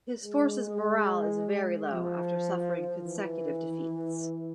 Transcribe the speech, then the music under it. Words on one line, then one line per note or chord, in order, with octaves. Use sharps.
His forces' morale is very low after suffering consecutive defeats.
G#3
F3
E3